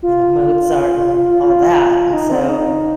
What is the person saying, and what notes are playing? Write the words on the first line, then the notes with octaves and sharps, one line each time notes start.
you know, Mozart and all that and so
F4
F4
D#4
C4
D#4